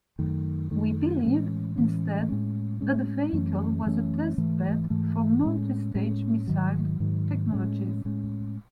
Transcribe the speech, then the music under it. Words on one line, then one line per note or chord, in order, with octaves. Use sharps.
We believe instead that the vehicle was a test bed for multi-stage missile technologies.
F#2 D#3 A3
F#2 D#3 A3
A2 E3 G#3 C#4
A2 E3 G#3 C#4
A2 G#3 C#4
A2 G#3 C#4
F#2 E3 A3 C#4
F#2 E3 A3 C#4
G#2 E3 A3
G#2 E3 A3
A2 G#3 C#4
A2 G#3 C#4
G#2 D#3 F#3
G#2 D#3 F#3
A2 G#3 C#4
A2 G#3 C#4